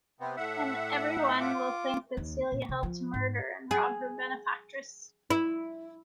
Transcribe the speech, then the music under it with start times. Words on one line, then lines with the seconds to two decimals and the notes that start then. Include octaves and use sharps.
And every one will think that Celia helped to murder and rob her benefactress.
0.20 C3 B3 C4
0.37 A2 E5 F#5
1.18 D#4
1.41 F4 D6
2.17 D#2
2.52 A#2
2.69 C3
2.83 F3
3.14 G#2
3.71 G#4
5.30 E4